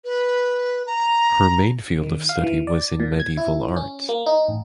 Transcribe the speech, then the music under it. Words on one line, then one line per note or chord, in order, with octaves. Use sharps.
Her main field of study was in medieval art.
B4
A#5
D#3
F5
E3
D5
A#2
G#6
E4
C#4
A#3
D#4
A1